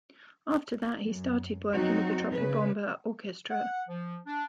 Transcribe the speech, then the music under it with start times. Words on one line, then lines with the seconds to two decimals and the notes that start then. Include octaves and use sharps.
After that he started working with the Tropibomba Orchestra.
1.05 F#2
1.74 F#3 C4 D#4 F#4
2.33 C#3 B4
3.51 F#5
3.89 F3
4.26 D4